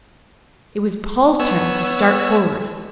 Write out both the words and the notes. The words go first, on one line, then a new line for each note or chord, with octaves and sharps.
It was Paul's turn to start forward.
B3 C#5 E6